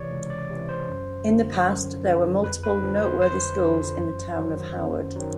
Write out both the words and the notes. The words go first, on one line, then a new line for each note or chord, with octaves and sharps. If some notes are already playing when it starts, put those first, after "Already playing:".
In the past there were multiple noteworthy schools in the town of Howard.
Already playing: C#2 C3 E3 C#5 D5
C#2
D5
C3 E3
C5
F#2
D3 F3
F#2
D3 F3
F2 B4
B4
D3 F3
C5
F2 C5
D3 F3
F#2
D#3 F#3
F#2
D#3 F#3